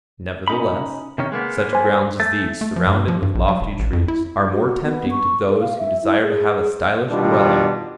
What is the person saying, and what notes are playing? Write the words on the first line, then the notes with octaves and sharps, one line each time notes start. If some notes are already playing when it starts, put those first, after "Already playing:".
Nevertheless, such grounds as these, surrounded with lofty trees, are more tempting to those who desire to have a stylish dwelling.
C#4 D#4 B5
C3 D#3 C#4
G#3 A#3 B3
C5 G#5
A3 A6
A3
F3
G2
F3
G2
A#1
F#3
D#1
A1
F2
E4
F#4
B3
C#6
A#4
F5
E5
E4
G#4
B2 D#3 G3 D4 F4